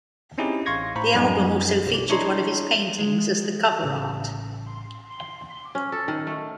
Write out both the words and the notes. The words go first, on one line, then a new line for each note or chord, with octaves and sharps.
The album also featured one of his paintings as the cover art.
C4 C#4 D#4 E4 G4 G#4
A1 F5 C6 C#6 G#6 A#6
A2 C5 A#5 B5 C#6
F#2 G3 D#4 G#5 A#5
B1
D4 E4 C#5 D#5 A#5 C6
G#3
A1 C#3
C#4
A4
D#3
A3